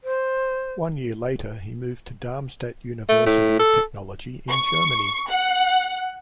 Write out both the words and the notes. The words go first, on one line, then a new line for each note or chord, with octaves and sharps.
One year later, he moved to the Darmstadt University of Technology in Germany.
C5
A3
A2
A4
C#6
F#5